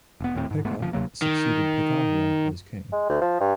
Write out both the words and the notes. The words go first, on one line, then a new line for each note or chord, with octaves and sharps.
Pekah succeeded Pekahiah as king.
F1 B3
D#1 D#2 A2 C4
G#2
D#1 G#2 A3 B3
F#1 F3
D2 C3 F#3 A#3
D#3
G#3
D2
F3
G2